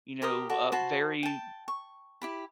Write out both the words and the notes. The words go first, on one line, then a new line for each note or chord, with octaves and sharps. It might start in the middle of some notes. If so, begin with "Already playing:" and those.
you know, uh, very
G4 A#4 C6 D#6
F#4 A4 D5
F#4 C5 A5 B5
G5 A5
C#6
E4 G4 B5